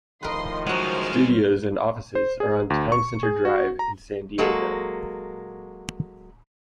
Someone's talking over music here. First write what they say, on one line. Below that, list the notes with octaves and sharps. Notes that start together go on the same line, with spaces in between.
Studios and offices are on Towne Center Drive in San Diego.
A2 D#3 F3 A#4 B4 D#5 C6
F#3 G#3 C#4 F#4 C5 F6
C5
G#4
D2
C#6
G#4
F#4
A#5
F#3 G#3 A#3 F#4 A4